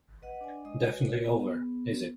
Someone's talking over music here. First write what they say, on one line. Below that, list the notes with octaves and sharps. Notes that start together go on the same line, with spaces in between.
Definitely over, is it?
B4 D#5 F#5
D4 D5 G5 G#5
G#3 D#5 G#5 D#6
F#4 B4 C#5
B3 G#4